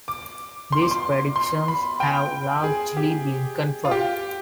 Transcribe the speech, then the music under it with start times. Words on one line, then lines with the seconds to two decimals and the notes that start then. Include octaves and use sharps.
These predictions have largely been confirmed.
0.08 D6
0.72 C6
0.82 D6
0.91 C6
1.36 C6
1.68 B5
2.00 G5
2.64 G#4
2.97 G4
3.85 F4
3.91 G4